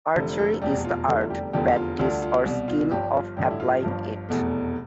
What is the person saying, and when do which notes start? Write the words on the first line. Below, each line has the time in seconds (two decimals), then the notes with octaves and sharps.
Archery is the art, practice, or skill of applying it.
0.15 F1 F2 D3 A3
0.39 A3 A4
0.62 F1 E2 B2 G3 G4
0.85 F4
1.07 F1 E2 D3 G3 A3 A4
1.16 E4
1.23 F4
1.30 G3 G4
1.53 F1 E2 D3 F3 G3 B3 G4
1.76 F4
1.99 D2 D3 G3 F4
2.22 F4
2.45 C2 B2 G3
2.68 F4
2.91 G1 G2 F3 G3 G4
3.14 F4
3.37 A1 G2 D3 G3 G4
3.51 E4
3.60 F4
3.83 G1 G2 F3
4.29 F1 E2 B2 A3